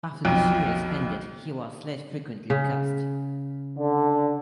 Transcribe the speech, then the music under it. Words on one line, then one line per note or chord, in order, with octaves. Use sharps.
After the series ended, he was less frequently cast.
B1 F2 B2
C#3
D3